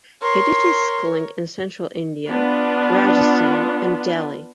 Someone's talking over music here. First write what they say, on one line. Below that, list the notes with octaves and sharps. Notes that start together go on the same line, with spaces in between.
He did his schooling in Central India, Rajasthan and Delhi.
A#4 C#5 C6
B3 D4 F4